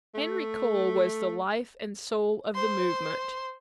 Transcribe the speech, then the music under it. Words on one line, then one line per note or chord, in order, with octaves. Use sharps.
Henry Cole was the life and soul of the movement.
A3
C5 C6